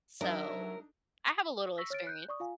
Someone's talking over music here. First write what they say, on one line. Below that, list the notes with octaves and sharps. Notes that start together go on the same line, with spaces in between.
So I have a little experience.
F#3 D4 D#4 A#4 D#5 E5
C#6 E6 A#6 B6
C#5 F6 A6 D7
F#6 G6
D5 C#6 D#6
F4 F5 G#5